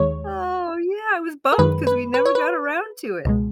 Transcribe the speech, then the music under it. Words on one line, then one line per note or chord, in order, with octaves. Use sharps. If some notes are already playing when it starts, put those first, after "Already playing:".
Oh, yeah, I was bummed because we never got around to it.
Already playing: D#2 D#3 G#3 C#5
A#4
F#2 D#3 G#3 B4
B4
B4
C#5
B4
C#2 B2 G#3